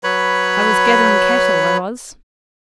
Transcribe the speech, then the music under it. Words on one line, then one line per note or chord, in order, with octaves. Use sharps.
I was gatherin' cattle, I was.
F#3 B4 C#5 B5